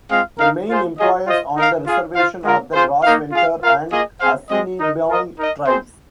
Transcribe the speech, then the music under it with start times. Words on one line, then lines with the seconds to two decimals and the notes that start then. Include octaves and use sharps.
The main employers on the Reservation are the Gros Ventre and Assiniboine tribes.
0.09 G#3 C4 F4 G#4 F5
0.38 D#4 A#4 F5
0.68 F4 G#4 C5
0.97 F4 G#4 D#5
1.27 F4 C5 D#5
1.56 D#4 A#4 F5
1.85 F4 G#4 F5
2.15 F4 C5 F5
2.43 G#3 F4 A#4
2.73 F4 G#4 C5
3.02 A#3 D#4 A#4 F5
3.31 F4 G#4 F5
3.61 F4 A#4 F5
3.90 A#3 F4 G#4 D#5
4.19 C4 G#4 C5 F5
4.49 G#3 C4 G#4 D#5
4.78 D#4 A#4 D#5
5.07 F4 A#4 D#5
5.37 D#4 A#4 D#5
5.66 C4 G#4 C5